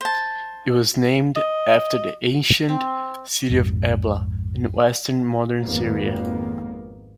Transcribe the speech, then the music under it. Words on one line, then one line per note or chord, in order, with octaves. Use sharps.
It was named after the ancient city of Ebla, in western modern Syria.
C5 A5
D#5
C4
A#1 F2 G#2
G#1 F2 D#3 A#3 B3